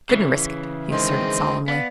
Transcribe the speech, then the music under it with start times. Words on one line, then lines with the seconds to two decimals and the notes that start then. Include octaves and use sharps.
"Couldn't risk it," he asserted solemnly.
0.09 C#3 E3
0.92 D#3 G#3 C4 D#5
1.68 B3 D5 F5